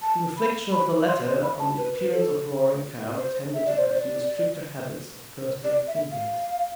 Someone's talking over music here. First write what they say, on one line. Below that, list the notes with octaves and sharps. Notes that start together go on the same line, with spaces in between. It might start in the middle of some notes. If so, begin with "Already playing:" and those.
The reflections of the latter on the appearance of Roaring Camp tended to produce stricter habits of personal cleanliness.
A5
B5
B5
C6
B5
A5
B4
B4
A4
C5
E5
D5
C5
D5
D5
E5
F5